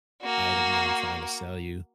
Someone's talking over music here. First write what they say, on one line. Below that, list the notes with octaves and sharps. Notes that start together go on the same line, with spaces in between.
item that I'm trying to sell you."
A#3 F#4